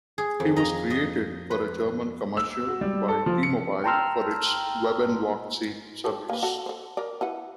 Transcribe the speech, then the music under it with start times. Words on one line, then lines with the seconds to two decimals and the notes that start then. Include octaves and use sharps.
He was created for a German commercial by T-Mobile for its web'n'walk service.
0.18 G#4
0.40 F2
0.56 D#5 A#5
0.90 D#5
1.51 B4
2.37 E6
2.67 F#4
2.81 G3
3.08 A4
3.26 F3
3.43 C#7
3.84 G5 A5 A#5 C6 E6 F6
6.04 G4 A4
6.30 A#3 B4
6.43 F#4 A4
6.66 A4 C5
6.97 A#4 D5
7.21 E4 B4 F#5